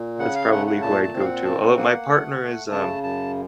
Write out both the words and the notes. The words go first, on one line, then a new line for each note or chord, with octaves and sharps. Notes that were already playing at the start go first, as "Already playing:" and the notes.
that's probably who I'd go to, although my partner is, uh,
Already playing: A#2
C#3 F#5
F5
A3 F#5
F#5
A#2 A5
A5
C4
F5
F#5
C#3 A5
F#5
A#3 F#5
F#5
A3
A3
C#3 A5
F#2 A5